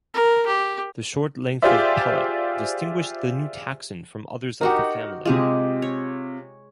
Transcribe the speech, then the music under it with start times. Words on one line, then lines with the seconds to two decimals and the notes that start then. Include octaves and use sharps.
The short length of palate distinguished the new taxon from others of the family.
0.14 A#4
0.46 G4
1.62 F4 G4 G#4 C5 D5 E5
4.61 D#4 F#4 G4 A#4 F#5
5.25 C3 G#3 F4 G4 G#4
5.82 C#5